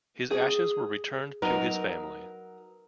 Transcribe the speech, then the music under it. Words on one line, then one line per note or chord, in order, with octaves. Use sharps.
His ashes were returned to his family.
G#4
F#3 D#4 A#4 B4